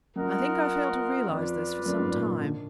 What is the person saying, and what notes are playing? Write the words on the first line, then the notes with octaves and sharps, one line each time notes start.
I think I failed to realize this for some time.
F#2 F4 A#4 D#5 F#5
F2 F4 B4 D5
F#2
G#2
A#2
D3